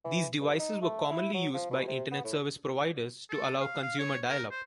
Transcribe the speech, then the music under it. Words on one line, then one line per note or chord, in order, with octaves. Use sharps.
These devices were commonly used by Internet service providers to allow consumer dial-up.
E3
G2
D#4
A3
E4
F#3
F3
B2
C3
B3
A2
A4
F5
F5
C#5
A#4
C5